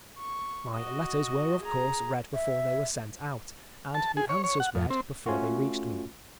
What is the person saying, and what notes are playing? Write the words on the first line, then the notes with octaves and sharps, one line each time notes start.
My letters were of course read before they were sent out, and the answers read before they reached me.
C#6
F#4 D#5
G#4 A#5
E5
A5
G#4
C#5
C#5
F#5
F2
C4
A3 C#4 F4 F#4